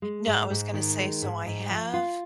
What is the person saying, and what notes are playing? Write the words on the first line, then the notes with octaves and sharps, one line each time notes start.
No, I was gonna say, so I have
G#3
G#2
G#2
D#3
G#3
G#2
G#2
F3
F4